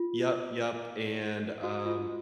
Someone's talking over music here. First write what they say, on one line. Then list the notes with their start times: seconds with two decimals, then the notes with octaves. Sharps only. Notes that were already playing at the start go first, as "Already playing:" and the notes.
Yep. Yep. And, um
Already playing: F4
1.64 F#4
1.86 F4